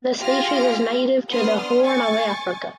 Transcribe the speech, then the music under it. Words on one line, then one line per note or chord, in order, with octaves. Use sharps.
The species is native to the Horn of Africa.
F4 G4 G#4 F6 A#6
B3 D4 C6 D#6 F6
G#5 C#6 A6